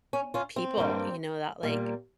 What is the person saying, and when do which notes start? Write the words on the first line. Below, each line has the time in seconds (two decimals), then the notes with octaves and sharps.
people, you know, that, like,
0.13 C#4
0.34 C#4 F4
0.56 C4
0.77 G2 G3 A#3
1.63 A#2 G3 A#3